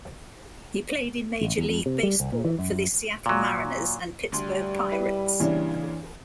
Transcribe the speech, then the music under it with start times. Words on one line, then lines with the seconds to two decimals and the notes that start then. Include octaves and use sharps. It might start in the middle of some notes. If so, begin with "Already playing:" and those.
He played in Major League Baseball for the Seattle Mariners and Pittsburgh Pirates.
1.41 A1
1.58 E2
1.69 F2
1.86 C3
2.03 G3
2.20 C2
2.32 A#2
2.45 E3
2.59 F#2
2.71 F#2
3.26 A#2 F#3
4.32 D2 G3 C6
4.91 E4 B4
5.40 A#2 C#3 E3 D4